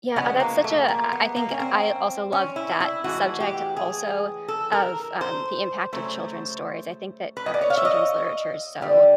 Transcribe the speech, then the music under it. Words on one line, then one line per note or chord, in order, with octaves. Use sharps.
Yeah, uh, that's such a I I think I also love that subject also of, um, the impact of children's stories. I think that, uh, children's literature is so,
C#3 F3 G#3 B3
A#3
A3
A#3
B3
A#3
C#4
C4
C#4
E4
E4
A2 E3 G#3 F#4
G4
G#4
A4
A#4
C5
C#3 F#3 A3 C5
B4
D#5
D5
C#5
F5
E5
D#5
D3 G3